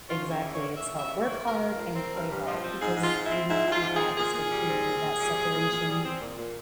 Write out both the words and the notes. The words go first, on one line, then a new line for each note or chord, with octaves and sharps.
Exactly, it's called "work hard and play hard," because you need that distinction, you need that separation.
C#4 F4
C#3
E4
E3
C#5
A#3
C#4 E5
C#3
E5
E3
C#5
A#3
G2 A#4
G2
F3
C4
G2
G2
F3
C4
G#2 G#4
G#2
F4
F3
E4
C4
G#2 E4
G#2 F4
F3
C4 G#4
A#2 G#4
A#2
G3
C4
A#2
A#2
G3
C4
A#2
A#2
G3
C4
A#2
A#2